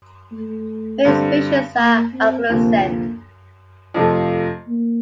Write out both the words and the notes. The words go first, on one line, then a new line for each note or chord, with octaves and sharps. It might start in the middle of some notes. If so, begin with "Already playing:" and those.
Many species are acaulescent.
A3
G2 D3 G3 C4
A#3
C4
D2 C3 F3 A#3
A#3
F2 C3 F3 A3
A#3